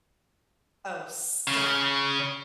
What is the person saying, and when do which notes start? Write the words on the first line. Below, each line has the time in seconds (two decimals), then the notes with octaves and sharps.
Oh, stop!
1.48 C#3